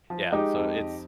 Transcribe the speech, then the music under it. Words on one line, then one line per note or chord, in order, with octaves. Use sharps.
Yeah, so it's
F3
G#3 D#4 G4
F2
F2